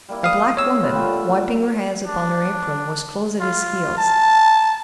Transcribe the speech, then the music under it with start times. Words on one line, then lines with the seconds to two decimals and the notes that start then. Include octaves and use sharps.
A black woman, wiping her hands upon her apron, was close at his heels.
0.09 G3 A#3 E4
0.24 F5 D#6
0.57 C#5 E6
0.82 G3 F4 B4
0.94 D3 G3 A3
2.07 D4
3.41 F4
3.98 A5